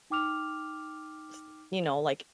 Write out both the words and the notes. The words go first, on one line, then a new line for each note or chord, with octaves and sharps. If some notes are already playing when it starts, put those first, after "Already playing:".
t you know, like
D#4 G5 D6 F6 F7